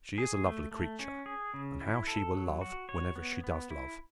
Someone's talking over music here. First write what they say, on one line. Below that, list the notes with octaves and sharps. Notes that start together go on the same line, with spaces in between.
She is a lovely creature; and how she will love whenever she does love!
G#4
A3
A3
C#4
G#4
C#3
E4
A4
F#3
F#4
C#5
B3
B3
E4